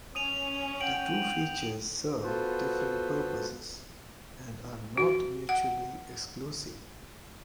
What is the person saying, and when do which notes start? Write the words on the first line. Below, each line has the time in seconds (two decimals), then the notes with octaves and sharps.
The two features serve different purposes and are not mutually exclusive.
0.15 C#4 D#6 D#7 F7
0.81 F#5 G5 D7 F#7
2.22 B3 F4 F#4 A4 B4 C5
4.97 F#4
5.49 F#5